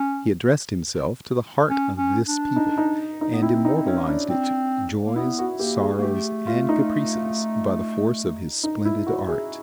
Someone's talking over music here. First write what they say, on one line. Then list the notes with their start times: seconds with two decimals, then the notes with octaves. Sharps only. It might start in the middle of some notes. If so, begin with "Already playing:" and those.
He addressed himself to the heart of this people and immortalized its joys, sorrows and caprices by the force of his splendid art.
Already playing: C#4
1.70 C#4
1.98 C#4
2.28 D4
2.56 D#4
2.78 D#4
3.21 D#4
3.32 B3
3.42 C4 E4
3.65 D#4
3.86 C#4
4.08 D4
4.29 C4
5.06 A#3
5.16 B3 E4
5.39 F#4
5.59 A#3 G4
5.81 G#4
5.98 A#3
6.03 A3 G4
6.47 F4
6.69 D#4
8.64 D#4
8.85 E4
9.07 F#4
9.28 G#4